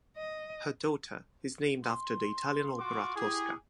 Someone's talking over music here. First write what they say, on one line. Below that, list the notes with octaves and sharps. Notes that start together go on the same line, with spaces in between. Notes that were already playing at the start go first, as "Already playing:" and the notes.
Her daughter is named after the Italian opera Tosca.
D#5
C6
F4 F#4 D6
E4 G4 G#4